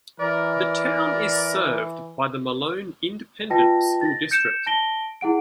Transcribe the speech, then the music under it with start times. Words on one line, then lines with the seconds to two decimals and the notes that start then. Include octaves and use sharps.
The town is served by the Malone Independent School District.
0.20 E3 A#4 D5
3.50 F4 B4 D#5 G5 A5 A#6
4.01 A6 A#6
4.31 G6 C#7 D7 E7
4.66 A5 A#6 D7 G7
5.21 E4 G#4 F#5 D7